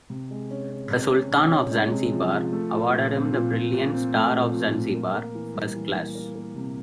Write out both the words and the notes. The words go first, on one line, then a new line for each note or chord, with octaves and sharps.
The Sultan of Zanzibar awarded him the Brilliant Star of Zanzibar, First Class.
C3
G#3
C#4
C#4
C3
C#4
C3
C#4
G#3
C3
F3
F3
A3
F3
A#2
C4
A#2
A#2
A#2
C4
A3
A#2
F3
A3
A#3
A#3
E3
G3
E3
A#3
A#3
A#3
C3